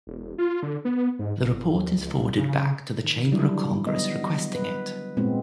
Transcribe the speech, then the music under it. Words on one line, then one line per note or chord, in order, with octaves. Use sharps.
The report is forwarded back to the chamber of Congress requesting it.
E1
F4
D3
B3
G#2
G1
D#2
C#2
C2
C#3
D#3
D3 F#3 G3 D4 E4
B3 D#5
B4
A#2 G#3 B3 C4